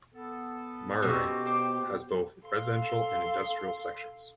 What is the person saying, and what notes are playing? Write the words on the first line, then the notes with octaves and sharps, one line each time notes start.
Murarrie has both residential and industrial sections.
B3 A4
B2 C4 C#4 G4 C#6
C5 D6
A4 F5 C6